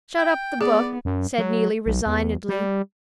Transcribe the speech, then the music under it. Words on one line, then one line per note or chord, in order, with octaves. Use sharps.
"Shut up the book," said Neelie, resignedly.
G5
B3 G#4 D5
F#2
F#3
B1
E2
G3